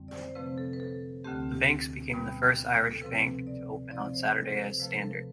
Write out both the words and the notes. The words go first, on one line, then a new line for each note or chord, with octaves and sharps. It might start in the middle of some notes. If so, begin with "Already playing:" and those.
The banks became the first Irish bank to open on Saturday as standard.
Already playing: F2 D3 G3 C4
D5
C5
C5
C3 F3 A3 C4 B4
A4
B4
A4
D2 D3 A3 C4 G4
G4
B2 G3 B3
A4
C3 F3 C4 B4
B4
D5
C3 F3 C4 D5
C5
A4
C5
B4
C3 F3 A3 B4
A4
B4